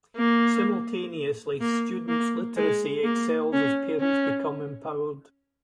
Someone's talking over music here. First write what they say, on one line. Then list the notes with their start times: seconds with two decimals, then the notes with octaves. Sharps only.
Simultaneously students' literacy excels as parents become empowered.
0.16 A#3
1.61 A#3
2.08 A#3
2.57 G#3
3.04 A#3
3.52 C#4
4.00 C#4